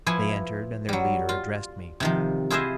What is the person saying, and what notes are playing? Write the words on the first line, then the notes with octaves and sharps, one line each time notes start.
They entered, and their leader addressed me.
F3 E4 B4 G#5
F#3 G3
F4
C3 D#3 F3
E4 F4 G#4 C5 D#5 E5